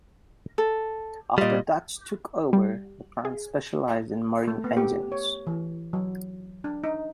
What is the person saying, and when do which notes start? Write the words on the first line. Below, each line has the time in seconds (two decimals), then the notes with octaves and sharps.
After Deutz took over, the plant specialised in marine engines.
0.58 A4
1.38 A#2 G3 F4 D#5
2.53 G3
3.25 G#4
4.48 A3
4.64 B3
4.77 G4
5.12 C#5
5.47 E3
5.93 F#3
6.64 D4
6.84 D#4